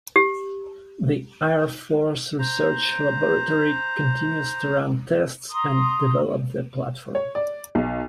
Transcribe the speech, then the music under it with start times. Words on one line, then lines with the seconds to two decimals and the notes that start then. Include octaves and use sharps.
The Air Force Research Laboratory continues to run tests and develop the platform.
0.16 G4
2.39 C5 A#5
5.50 A#5 C6 D#6
7.15 C#5
7.35 D5
7.75 B1